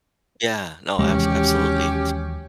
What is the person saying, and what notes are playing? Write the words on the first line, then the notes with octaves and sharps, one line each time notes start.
Yeah, no, abs absolutely,
D#2 C3 E3 F#3 G#3 C#4 G4